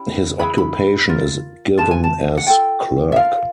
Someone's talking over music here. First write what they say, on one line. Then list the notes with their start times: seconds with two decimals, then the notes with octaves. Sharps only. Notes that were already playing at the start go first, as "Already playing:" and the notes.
His occupation is given as "clerk".
Already playing: C#4 E4 G4 B5
0.39 E4 G#4 B4 B5
0.58 B5
1.09 F4 A#4
1.78 F4 G#4 B4 A5
1.91 G#5
2.04 A5
2.37 F#5
2.47 F4 A4 G5
3.12 E5
3.16 F4 A#4 F5